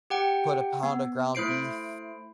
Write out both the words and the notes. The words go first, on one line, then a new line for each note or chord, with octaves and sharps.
put a pound of ground beef
G4 F#5 G5
B3
A3 E4 C5 C7 D7